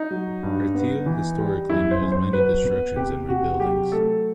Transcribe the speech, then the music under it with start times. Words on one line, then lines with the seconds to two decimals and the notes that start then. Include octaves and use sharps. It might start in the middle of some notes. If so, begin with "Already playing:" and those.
Breteuil historically knows many destructions and re-buildings.
Already playing: D#4
0.11 F#3
0.43 G2
0.74 B3
1.06 E3
1.38 G3
1.69 F#2 E4
1.91 C5
2.01 F#2
2.12 C5
2.33 F#3 B4
2.65 B3
2.96 C3 G4
3.29 C3 F#4
3.60 F#3 G4
3.92 A3 A4